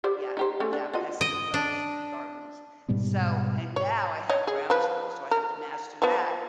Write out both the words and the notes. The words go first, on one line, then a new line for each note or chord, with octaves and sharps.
Yeah, yeah, pest he loves f gardens. So, and now I have ground squirrels so I have to master that,
G4 C5 D5
D#4 G4 C5
A3 C#4
D4
F4 F#4 D#5
D#5
D4
G#2 B2 G3 B3
C#5
C#5 D#5
G#4
F3 B4
A#4
F3 B3